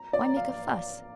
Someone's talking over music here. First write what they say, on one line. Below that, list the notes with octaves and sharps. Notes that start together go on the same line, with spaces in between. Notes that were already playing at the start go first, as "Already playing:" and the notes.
Why make a fuss?
Already playing: A#5
D5
F5